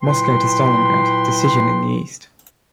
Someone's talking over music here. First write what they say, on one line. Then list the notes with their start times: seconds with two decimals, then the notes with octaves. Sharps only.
"Moscow to Stalingrad: Decision in the East".
0.02 A#2 F#3 E4 B4 G5 C6